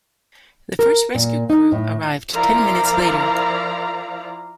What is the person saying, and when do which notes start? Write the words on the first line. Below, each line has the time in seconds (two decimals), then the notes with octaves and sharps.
The first rescue crew arrived ten minutes later.
0.79 A#4
1.15 A#2
1.50 D#4
1.72 A2
2.33 F3 E4 A#4 D5 F5 A#5